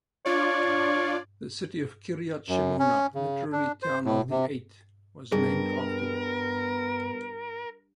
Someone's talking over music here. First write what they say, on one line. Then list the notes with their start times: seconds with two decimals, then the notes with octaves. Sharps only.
The city of Kiryat Shemona, literally "Town of the Eight" was named after them.
0.26 D4 F4 C#5 D5
2.49 F#2
2.79 C#4
3.15 C#3
3.52 D4
3.82 C5
4.05 A2
4.30 C3
5.32 G2 B3 G#4 A#4